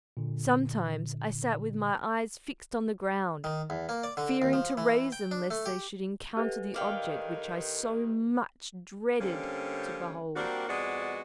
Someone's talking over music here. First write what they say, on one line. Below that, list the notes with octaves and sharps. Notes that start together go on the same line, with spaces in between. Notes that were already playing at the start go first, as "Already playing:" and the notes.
Sometimes I sat with my eyes fixed on the ground, fearing to raise them lest they should encounter the object which I so much dreaded to behold.
A#2 D3
D#3
E2
A#3
D5
D3
D#2
F3
E3
G5
D4
A3
G4
G4 A4 B4
G2 D#3 D5 F5 G5
D3 G3 A#3 C4 C#4
G3 A#3 C4 D4 F#4 A#4
F2 G#3 B3 F#4 D5 D#5